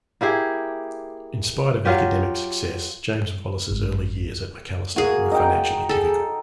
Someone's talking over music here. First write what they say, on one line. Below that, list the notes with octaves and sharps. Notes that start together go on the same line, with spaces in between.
In spite of academic success, James Wallace's early years at Macalester were financially difficult.
A#3 E4 G4 G#4
F#3 F4 G4
G#1
A#3 F#4 G#4 G#5
D#4 G5
G#4 A4